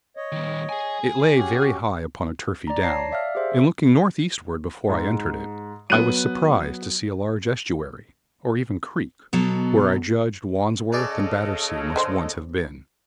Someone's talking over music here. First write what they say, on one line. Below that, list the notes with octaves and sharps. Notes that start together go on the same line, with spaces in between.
It lay very high upon a turfy down, and looking north-eastward before I entered it, I was surprised to see a large estuary, or even creek, where I judged Wandsworth and Battersea must once have been.
C#5 D#5
D#3 G3
G#4 G#5
C#4 F#4 G4
D5 A#5
C#5 A5 A#6 C7
D5 E5 F5 F6
G4 G#4 C5 E5
G#2
F#3 B3 F#6 D#7
B2 F#3 B3 A4
C#3 G#4 A4 D5 D#5 C#6
D3 C5